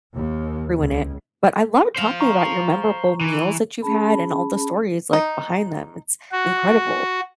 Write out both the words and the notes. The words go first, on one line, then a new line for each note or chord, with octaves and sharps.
ruin it, but I loved talking about your memorable meals that you've had and all the stories, like, behind them, it's incredible.
D#2
C#2
C5 F5
A#5 C#6
E3
C#4 G#4 A5 B5
D#4
F#4